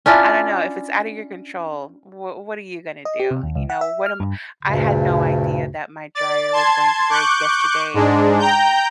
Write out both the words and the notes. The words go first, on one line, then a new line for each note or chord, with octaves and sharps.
I don't know, if it's outta your control, w what are you gonna do? You know? What am I had no idea that my dryer was going to break yesterday,
C#4 D4 E4 F4
D#5
G4
C3
D#2
C#2
F#5
E5
F6
G2
D2 G2 A#2 C#3
D5 A6
A5 C6 G#6
C#6 D6 F#6 G6
G#2 G#3 D4
G5 A#5 G6